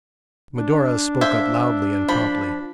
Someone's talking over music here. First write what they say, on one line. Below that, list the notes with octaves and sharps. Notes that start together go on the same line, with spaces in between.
Medora spoke up loudly and promptly.
D4
C5 E5 F5 G#5
F3 B5